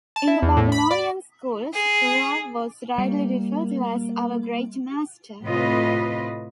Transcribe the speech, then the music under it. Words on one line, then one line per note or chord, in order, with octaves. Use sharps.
In the Babylonian schools, Rav was rightly referred to as our great master.
A5
E4
E2
A2
B5
D5
G#4
G3 A#3
A2 C3 F4 B4 D#5